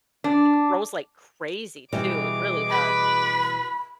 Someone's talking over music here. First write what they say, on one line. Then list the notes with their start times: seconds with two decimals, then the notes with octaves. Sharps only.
It grows like crazy too, it really does.
0.24 D4
1.92 B2 E3 G3 G#3 D6
2.70 B4 B5